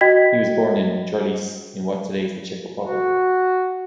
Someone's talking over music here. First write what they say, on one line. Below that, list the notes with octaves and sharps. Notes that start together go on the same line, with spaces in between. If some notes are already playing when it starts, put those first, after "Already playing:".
He was born in Chrlice in what today is the Czech Republic.
F#4 D#5 G5 G#6 B6
F#4